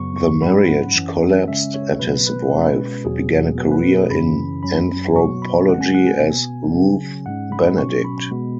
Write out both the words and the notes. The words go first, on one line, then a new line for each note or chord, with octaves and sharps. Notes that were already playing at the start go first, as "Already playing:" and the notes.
The marriage collapsed and his wife began a career in anthropology as Ruth Benedict.
Already playing: F#2 C#3 F#3 B3 C#6
C#6
G#2 F#3 C#4 B5
F#5
F#2 E3 C#4
C#3 G#3 C#4 E5
C#5
B2 F#3 B3 B4
B4
B2 G#3 C#4
E2 B2 F#3 B3 G#4
B2 F#3 B3 B4
B4
G#4
F#2 C#3 E3 C#4 B5
F#2 F#3 C#4 B5
B2 F#3 B3 C#6
B5
C#3 G#3 C#4 F#5
G#5
F#5
G#5
B2 B3
C#3 F#3 C#4
G#2 G#3 C#4 F#5
B5
B2 F#3 C#4 C#6
B5
B2 G#3 B3